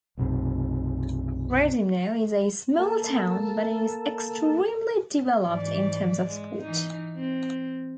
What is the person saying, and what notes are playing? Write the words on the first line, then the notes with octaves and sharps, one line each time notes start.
Radymno is a small town, but it is extremely developed in terms of sport.
B1 F#2 C3
A#3 A4
G#2 E3 D5
G#3
E3 D#4
C4